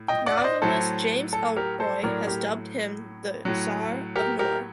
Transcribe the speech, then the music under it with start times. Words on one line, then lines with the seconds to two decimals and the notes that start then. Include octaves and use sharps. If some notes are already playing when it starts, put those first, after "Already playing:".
Novelist James Ellroy has dubbed him "The Czar of Noir".
Already playing: A2
0.08 D#5 G5
0.26 D5 F#5
0.37 D5
0.44 C5 D#5
0.62 A2 F#3 A4 C5
1.33 A4
1.56 G4 A#4
1.80 A4 C5
2.03 A2 F#3 A#4 D5
2.27 G4 A#4
3.45 A2 F#3
4.16 G4 A#4
4.39 G4 A#4